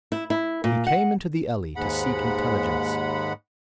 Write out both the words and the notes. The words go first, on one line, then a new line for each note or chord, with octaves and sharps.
He came into the alley to seek intelligence.
E4
E4
A#2
F#5
D#2 G#2 G#3 F#5 B5